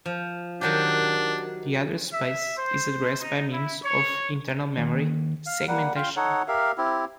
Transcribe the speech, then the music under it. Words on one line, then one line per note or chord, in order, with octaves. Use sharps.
This address space is addressed by means of internal memory "segmentation".
F3
D#3 F#3 D4 G4
E5
C5
D#4
E4
C#5
D#2
F5
G3 A#3 F#5
F4 F5 G5
D#4 A4 C#5 F#5
G4 A#4 E5 F5
C4 E4 G4